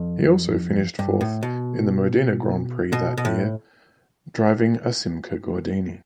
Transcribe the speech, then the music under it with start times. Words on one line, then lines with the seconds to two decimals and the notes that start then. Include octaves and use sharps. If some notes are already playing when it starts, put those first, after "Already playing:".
He also finished fourth in the Modena Grand Prix that year, driving a Simca-Gordini.
Already playing: F2
0.99 G2
1.21 A2
1.43 B2
2.93 B2
3.17 B2
3.25 A2